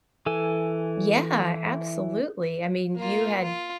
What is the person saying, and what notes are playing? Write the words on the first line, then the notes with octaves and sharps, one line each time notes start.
Yeah, absolutely, I mean, you had
E3 A4 G#5
A#3 F4
F4